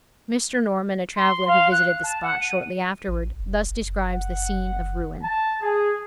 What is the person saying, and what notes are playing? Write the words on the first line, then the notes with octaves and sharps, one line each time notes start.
Mr. Norman, a traveler who visited the spot shortly afterward, thus describes the scene of ruin.
C6
F5
F#6
A5
F#5
D#7
A1
F1
F#1
F#5
A5
G#4